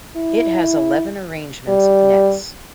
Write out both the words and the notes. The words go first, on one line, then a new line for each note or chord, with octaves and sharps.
It has eleven arrangements of nets.
E4
G3